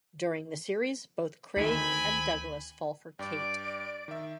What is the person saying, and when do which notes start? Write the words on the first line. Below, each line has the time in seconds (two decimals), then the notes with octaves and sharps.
During the series, both Craig and Douglas fall for Kate.
1.56 D2 D#3 C4 G#5 B5
3.19 G2 D5 G5
4.08 D#3 E5